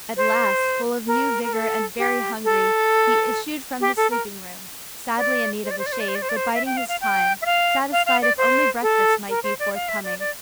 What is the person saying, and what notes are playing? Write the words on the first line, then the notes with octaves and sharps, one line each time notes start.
At last, full of new vigor and very hungry, he issued from his sleeping-room, sadly in need of a shave, but biding his time, satisfied if only breakfast might be forthcoming.
C5
A#4
A#4
A4
G4
A4
G4
A4
A#4
D5
C5
D5
C5
D5
C5
D5
C5
D5
C5
D5
C5
E5
G5
F5
F5
G5
E5
F5
F5
F5
D5
C5
A4
A#4
C5
D5
F5
E5
D5
D5